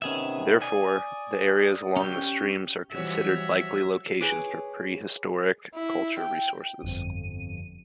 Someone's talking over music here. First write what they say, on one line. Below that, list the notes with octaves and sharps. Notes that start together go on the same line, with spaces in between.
Therefore, the areas along streams are considered likely locations for prehistoric cultural resources.
C3 D#3 B3 C#4 G#4 E5
D5 G#5 D#6
C#4 G4
E3 F3 G3 F#4 C#5 E5
G#4 B4 C#5 D6
E4
G5
G1 F2 D#7